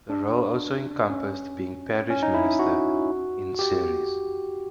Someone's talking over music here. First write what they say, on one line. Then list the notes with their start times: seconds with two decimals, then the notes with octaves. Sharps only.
The role also encompassed being parish minister of Ceres.
0.10 D4
1.10 C#4
2.10 C#4
2.23 D#4
2.34 E4
2.59 F#4
3.59 G4